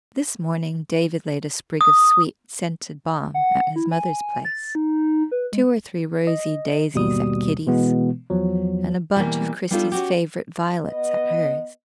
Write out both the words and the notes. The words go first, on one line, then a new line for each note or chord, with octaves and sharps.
This morning David laid a sprig of sweet-scented balm at his mother's place, two or three rosy daisies at Kitty's, and a bunch of Christie's favorite violets at hers.
D#6
F#5
E4
G#5
A6
D#4
B4
G#3
D#5
G#1 D#2 B2 G3 D#6
B2 E3 G#3 B3
E2 F3 F#3
B2 E3 G3 A#3
G3 B3 D4 D#4 F4 A4
C#4 F#4 G4
B3 D#5